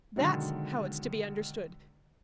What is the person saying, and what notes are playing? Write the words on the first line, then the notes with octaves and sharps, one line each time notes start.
That's how it's to be understood!
B2 D3 D#3 F#3 G#3